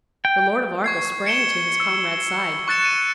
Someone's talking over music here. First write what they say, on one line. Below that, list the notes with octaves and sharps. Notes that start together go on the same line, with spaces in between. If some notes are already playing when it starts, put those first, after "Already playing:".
The Lord of Arkell sprang to his comrade's side.
G5
C#6 G#6 C7
C#7 D7 E7 G7
E6
C#6 F#6 A6 C#7 E7
D#7